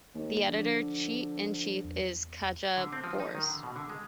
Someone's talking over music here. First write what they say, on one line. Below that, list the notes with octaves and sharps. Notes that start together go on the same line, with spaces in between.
The Editor in Chief is Katja Brose.
D#2
D3 F3
E2
D3
C4
F3
D#4
D#3
D3
B2
D3
G#3